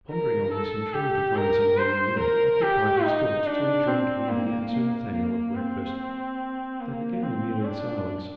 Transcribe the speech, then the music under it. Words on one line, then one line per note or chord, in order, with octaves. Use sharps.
Pondering on this and trying to find some meaning in it, occupied his thoughts till he joined Mimi and Sir Nathaniel at breakfast. They began the meal in silence.
A#4
A4
G4
A#4
C5
A#4
G4
D#4
D4
C4
A#3
A#3
A#3
C4
A#3
C4
D4